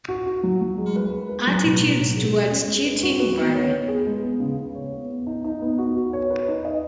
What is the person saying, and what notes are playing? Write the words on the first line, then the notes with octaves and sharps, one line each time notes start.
Attitudes towards cheating vary.
F#4
F#4
F#3
F#3
G#3
B4
G#3
B4
F#3
B2
F#3
B2
G#4
G#3
C#4
G#3
B4
F#4
B4
B3
C#5
B3
G#4
G#3
B3
C#3
C#3
C#5
B3
B3
D#4
D#4
B3
F#4
F#4
C#5
B4
D#4
D#5